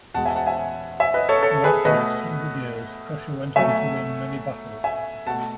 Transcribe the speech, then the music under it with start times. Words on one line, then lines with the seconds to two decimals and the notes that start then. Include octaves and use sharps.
Throughout the next hundred years Prussia went on to win many battles.
0.14 E2 B2 G#3 F#5 A5
0.25 E5 G#5
0.36 F#5 A5
0.46 E5 G#5
1.00 E5 G#5
1.14 B4 D#5
1.29 A4 C#5
1.43 A4 C#5
1.64 G#4 B4
1.85 B2 A3 B4 D#5
3.56 B2 F#3 A3 E5 G#5
4.84 E5 G#5
5.27 B2 A3 F#5 A5